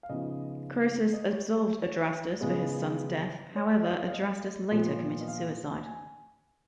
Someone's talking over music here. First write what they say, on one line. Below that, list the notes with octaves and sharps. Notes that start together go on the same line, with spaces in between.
Croesus absolved Adrastus for his son's death; however, Adrastus later committed suicide.
F5
C#3 F3 B3 D#4 D#5
D#5
C#5
C#5
C#3 F3 G#3 B3
C#5
D#5
F5
D#5
A#2 F3 B3 F4
D#5
F5
G#5